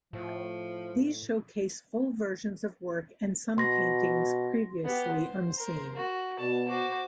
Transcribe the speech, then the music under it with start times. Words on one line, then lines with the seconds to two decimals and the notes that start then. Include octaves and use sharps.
These showcase full versions of work and some paintings previously unseen.
0.13 A2 F3
3.58 B2 C6 A#6
4.85 B3 G4
5.14 C5
5.58 A#4
5.96 F#4
6.39 B2 B3 D5 A5
6.68 F#4 C5 D6